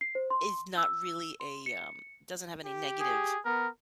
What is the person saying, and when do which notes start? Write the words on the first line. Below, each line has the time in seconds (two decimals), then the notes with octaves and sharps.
is not really a, um doesn't have any negative
0.01 C7
0.15 C5
0.30 C6
0.77 E6
1.40 C6
1.66 C#7
2.65 G4
3.00 G#4
3.45 B3 A#4